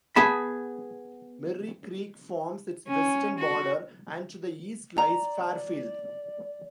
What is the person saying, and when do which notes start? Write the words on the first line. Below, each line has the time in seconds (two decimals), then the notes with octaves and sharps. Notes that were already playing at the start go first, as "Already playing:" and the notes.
Merri Creek forms its western border, and to the east lies Fairfield.
0.16 B3 G#4 A5 B5
2.88 C#4
3.38 F#4
4.98 D5 A#5